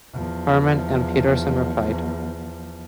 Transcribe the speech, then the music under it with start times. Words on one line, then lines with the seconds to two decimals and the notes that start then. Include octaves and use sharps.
Herman and Peterson replied.
0.13 E2 F3